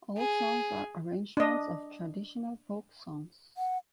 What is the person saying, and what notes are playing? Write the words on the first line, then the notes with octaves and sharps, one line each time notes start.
All songs are arrangements of traditional folk songs.
G#4
D4 D#5
F#5